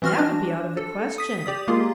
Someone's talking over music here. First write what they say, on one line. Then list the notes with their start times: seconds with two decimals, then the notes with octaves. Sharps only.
"That would be out of the question."
0.02 E3 C4 F#4 C6 F6 A#6
0.19 D4
0.77 A4
1.18 D#6 B6
1.46 G4 D5 D#6
1.67 G#3 A#3 F4 G#4